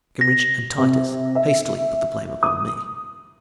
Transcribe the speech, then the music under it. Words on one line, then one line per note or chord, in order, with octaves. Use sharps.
Breckenridge and Titus hastily put the blame upon me.
A#6
C3
E5
D#6